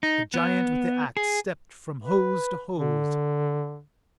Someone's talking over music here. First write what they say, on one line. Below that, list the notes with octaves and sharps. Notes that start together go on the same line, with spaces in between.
The giant with the ax stepped from hose to hose.
D#4
B3
G#4
B4
D3